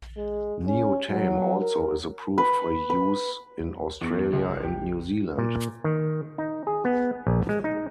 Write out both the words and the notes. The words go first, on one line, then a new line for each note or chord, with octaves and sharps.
Neotame also is approved for use in Australia and New Zealand.
G#3
C#4
F#3
A#4
B4
B4
E2
C#2
G4
A#2
D#3
D#4
G#4
B3
A#1
G#3
D#4